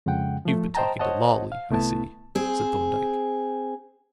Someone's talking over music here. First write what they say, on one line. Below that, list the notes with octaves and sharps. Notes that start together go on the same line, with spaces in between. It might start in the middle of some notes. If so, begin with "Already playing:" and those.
"You've been talking to Lawley, I see," said Thorndyke.
F2 C#3 G#3 F#5 G5
F3 A3
C5 D#5 G5 A5 A#5
C5 C#5 D#5 F#5 A5
F5
C2 A3 B3 E4 A5
C4 G#4